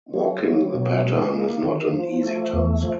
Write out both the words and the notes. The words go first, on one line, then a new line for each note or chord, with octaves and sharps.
Walking the Pattern is not an easy task.
F#3
F#3
B2
G#3
A#3
D#3
F3
A3
E2
F3